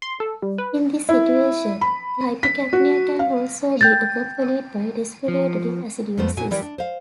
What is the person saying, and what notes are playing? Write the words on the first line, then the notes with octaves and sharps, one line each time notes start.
In this situation the hypercapnia can also be accompanied by respiratory acidosis.
C6
A4
G3
B4
E4
B5
B6
F#4
F5
G5 G6 A6
F3
F2 A3 B3 C5
A#2 F#4 G#5
E3 G3 E4 G4 A#4 D5
D4
C5 F5